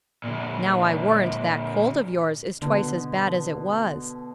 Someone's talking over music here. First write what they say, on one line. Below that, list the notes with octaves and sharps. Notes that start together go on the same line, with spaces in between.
Now I warrant that cold of yours is twice as bad as it was.
A#2 D3
B2 D3